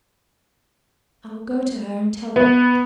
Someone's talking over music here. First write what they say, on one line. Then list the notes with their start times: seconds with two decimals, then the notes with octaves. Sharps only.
'I will go to her, and tell her.
2.36 B3